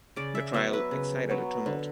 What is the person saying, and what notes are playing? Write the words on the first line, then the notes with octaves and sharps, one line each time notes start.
The trial excited a tumult.
C#3 D5
E5
F#3 B3 E5
B4
C#3
F#3 B3
D3